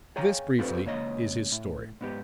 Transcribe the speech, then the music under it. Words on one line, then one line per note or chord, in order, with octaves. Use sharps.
This, briefly, is his story.
G#4 C#5 F5 G5 G#5 A#5
C4 F4 G4 A4 B4 C5
C#2 A#3 C#5 D#5
A2
G#2 B3 G4